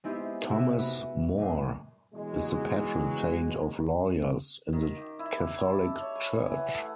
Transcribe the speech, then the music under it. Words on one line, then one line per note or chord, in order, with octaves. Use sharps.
Thomas More is the patron saint of lawyers in the Catholic Church.
G#3 B3 C4 D#4 E4 G4
C3 F#4 G#4 E5 D7
F#4 B4
F#2 A#2 G#3
B2 E3 F#3 G#3
D#3
G4
E4
G4
A5
C#5
G#5
E3
F#5
A3